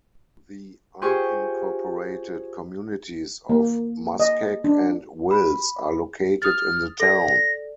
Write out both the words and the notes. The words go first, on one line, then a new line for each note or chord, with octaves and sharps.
The unincorporated communities of Muskeg and Wills are located in the town.
F4 G4 G#4 C5 C#6
A#3
D#5
D4
B5
D#6 F6 A6
A4 D5 A#6